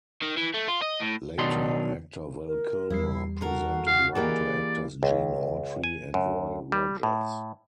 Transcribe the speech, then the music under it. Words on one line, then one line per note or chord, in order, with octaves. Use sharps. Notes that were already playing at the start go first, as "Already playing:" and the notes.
Later, actor Val Kilmer presented one to actors Gene Autry and Roy Rogers.
D#3
E3
A3
F4
D#5
A2
B2 D#3 F#3 D4 D#4 C6
A#4
E2 G3 E4 C7
F#4 A4 A#4
F5
E3 A#3 G4 G#4 A#4 D5 D#5
C#2
G#5
F#2
G3
A2